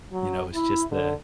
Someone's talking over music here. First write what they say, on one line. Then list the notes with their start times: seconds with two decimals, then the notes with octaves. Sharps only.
you know, it's just the,
0.12 F#3
0.53 E4
0.91 D3